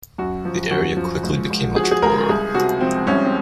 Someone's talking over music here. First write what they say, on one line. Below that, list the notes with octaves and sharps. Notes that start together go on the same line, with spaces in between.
The area quickly became much poorer.
F#2 F#4
F3
F#2 F#4
F3
C#2
C#2
F3 G#4
F#4
G#4
C#2 A#4
C2 G#4
C3 F#4
F3 C4
C2 C#4
C4